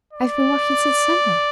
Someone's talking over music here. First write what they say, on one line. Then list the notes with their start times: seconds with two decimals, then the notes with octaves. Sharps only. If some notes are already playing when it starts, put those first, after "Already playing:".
I have been walking since sunrise.
0.13 D5